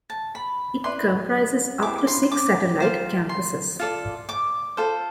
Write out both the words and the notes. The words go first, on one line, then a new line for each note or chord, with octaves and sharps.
It comprises up to six satellite campuses.
A5
B5
E4 B4 D5 C6
E4 G4 C5 D6
D6
C6
D6
F4 C5
C6
F4 A4 D5
D6
F4 A4 C5